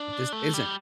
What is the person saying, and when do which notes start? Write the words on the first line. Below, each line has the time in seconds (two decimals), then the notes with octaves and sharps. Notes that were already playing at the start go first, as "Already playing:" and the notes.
It just isn't.
Already playing: D4
0.33 A3
0.54 G3